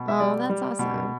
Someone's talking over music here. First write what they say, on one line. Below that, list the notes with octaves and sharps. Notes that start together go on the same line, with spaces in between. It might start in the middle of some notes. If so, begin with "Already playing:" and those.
Aw, that's awesome.
Already playing: B2
E5
G3 D5
G3
B2